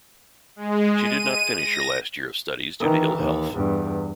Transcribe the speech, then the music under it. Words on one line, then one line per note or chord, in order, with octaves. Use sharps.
She did not finish her last year of studies due to ill health.
G#3
D#7
A#6
D#3 E3
D#2
E2 G2